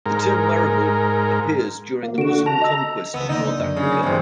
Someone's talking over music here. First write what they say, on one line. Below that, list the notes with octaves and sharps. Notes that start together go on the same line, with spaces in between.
The term Marabout appears during the Muslim conquest of North Africa.
G#2 A#4
A#3
D3 F#4 D7 E7
A5 A#5
D#5 E6
C#2 B3 E6
D3 A#3 D#4
F#2
C#3
G1 E2 C3